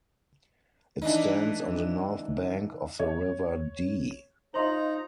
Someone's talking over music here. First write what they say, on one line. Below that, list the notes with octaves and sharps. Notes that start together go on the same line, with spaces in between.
It stands on the north bank of the River Dee.
E3 D4 D#4
C#5
D#4 F4 C5 D#5 A#5 C6 F#7